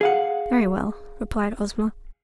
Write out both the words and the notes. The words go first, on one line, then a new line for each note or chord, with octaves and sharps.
"Very well," replied Ozma.
G#4 F5 F#5